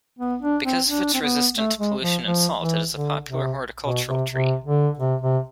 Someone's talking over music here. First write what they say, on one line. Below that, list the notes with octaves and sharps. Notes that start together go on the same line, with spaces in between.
Because of its resistance to pollution and salt, it is a popular horticultural tree.
B3
D4
C4
D4
C4
B3
A3
G#3
F3
F3
E3
D3
C3
B2
C3
C3
D3
C3
C3